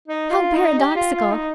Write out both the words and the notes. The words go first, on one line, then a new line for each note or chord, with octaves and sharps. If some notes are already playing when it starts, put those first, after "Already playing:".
How paradoxical!
D#4
F4
D#4
G4
F4
F4
D#4